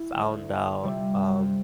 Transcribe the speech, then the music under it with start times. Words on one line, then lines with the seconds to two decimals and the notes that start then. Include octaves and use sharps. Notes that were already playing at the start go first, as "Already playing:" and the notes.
found out, um,
Already playing: E4
0.14 D2 D3 A3
0.83 C3 G3 C4 F4